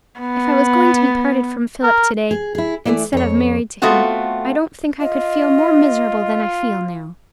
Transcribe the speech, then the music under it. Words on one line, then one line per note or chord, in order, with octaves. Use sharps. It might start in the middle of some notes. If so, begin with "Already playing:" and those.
If I was going to be parted from Philip to-day, instead of married to him, I don't think I could feel more miserable than I feel now.
B3
A#4
G#4
E4 G#4
E3 F3 A3 E4 D5
F2 C#5
A3 B3 C4 F4 F#4 F#5
F4 D#5